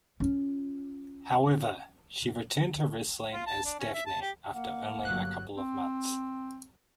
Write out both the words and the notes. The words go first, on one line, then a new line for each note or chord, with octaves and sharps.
However, she returned to wrestling as Daffney after only a couple of months.
C#4 F4
F4
A5
D4
C#4
E5
A5
G4
A#3 F#5
G1 F#3 F#6
C4